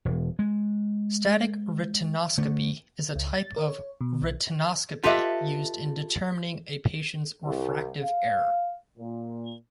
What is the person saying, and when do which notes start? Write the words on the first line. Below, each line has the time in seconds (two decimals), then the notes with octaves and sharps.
Static retinoscopy is a type of retinoscopy used in determining a patient's refractive error.
0.05 E1
0.39 G#3
2.38 D3 A3
3.16 C#2
3.34 A6
3.56 A#4
3.68 C#5
4.01 B2
4.22 B1
5.03 F4 G4 A4 B4 D#5 E5
7.44 C2
8.02 F5
8.98 A#2